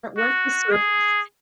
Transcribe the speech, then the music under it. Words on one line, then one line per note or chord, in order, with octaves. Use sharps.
weren't the surfers
F#4
G#4